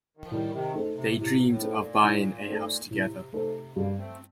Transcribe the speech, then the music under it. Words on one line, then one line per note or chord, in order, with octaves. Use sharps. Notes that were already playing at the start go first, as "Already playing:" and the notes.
They dreamed of buying a house together.
D#3
F3
A2 D#3 G3
C3 D#3
A3 D#4 A4 C5
C3
A2 C3
A2
A3 D#4 A4 C5
A#2
A2
A3 D#4 A4 C5
A2 C3
C3 A3 D#4 A4 C5
G2 G3 A#3
A3 C4